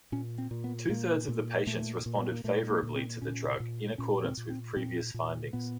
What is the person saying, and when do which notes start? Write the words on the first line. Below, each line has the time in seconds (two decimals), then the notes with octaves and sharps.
Two-thirds of the patients responded favorably to the drug, in accordance with previous findings.
0.12 A#2 C#4
0.38 C4
0.51 A#2
0.64 B3
0.89 A#2 A#3
1.28 A#2
1.67 A#2 A3
2.06 A#2
2.20 B3
2.32 A#3
2.44 A#2 A3
2.70 A#3
2.83 A#2
2.96 C4
3.22 A#2 C#4
3.60 A#2
3.98 A#2 C#4
4.24 C4
4.37 A#2
4.50 C4
4.76 A#2 C4
5.14 A#2
5.53 A#2 B3